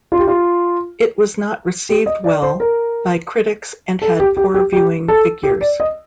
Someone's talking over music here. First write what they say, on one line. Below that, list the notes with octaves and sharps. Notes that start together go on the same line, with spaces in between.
It was not received well by critics and had poor viewing figures.
F4
G4
F4
G4
D#5
D5
C5
A#4
A4
G4
G4
G4
G4
A4
G4
D5
D#5